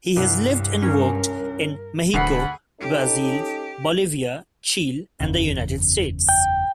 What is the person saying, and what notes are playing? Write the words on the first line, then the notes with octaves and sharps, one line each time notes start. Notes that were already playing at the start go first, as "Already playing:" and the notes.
He has lived and worked in Mexico, Brazil, Bolivia, Chile and the United States.
C2 G2
C#4 A#4
D1 D2 G#4 F#5 B5 C7
C#4 D#4 G4 A4
F#1 E2 C#3
G5